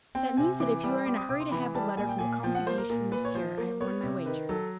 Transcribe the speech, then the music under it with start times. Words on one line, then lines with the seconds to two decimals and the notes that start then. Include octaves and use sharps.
"That means that if you are in a hurry to have the letter from the Comte de Guiche for Monsieur, I have won my wager."
0.15 C4 G5
0.37 C3 G#5
0.60 E3 D6
0.84 G3 D6
1.06 C4 D6
1.17 D#6
1.29 C3 D6
1.40 C6
1.51 E3 B5
1.74 G3 A5
1.97 A#2 G#5
2.09 G5
2.19 A#2 G#5
2.43 F3 G5
2.55 F#5
2.66 A#3 C5
2.78 A#4
2.90 A#2 A#4
3.12 A#2 B4
3.25 C#5
3.35 F3 C5
3.57 A#3
3.81 B3 C#5
4.03 C3
4.26 D#3 B4
4.49 F#3 A4